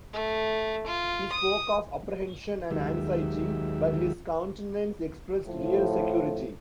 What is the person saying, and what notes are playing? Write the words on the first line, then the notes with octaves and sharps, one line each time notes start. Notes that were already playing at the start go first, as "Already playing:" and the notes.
He spoke of apprehension and anxiety, but his countenance expressed real security.
A3
F4
D#6
D#2 D#3 F#3 G#3 G4 E5
A2 F3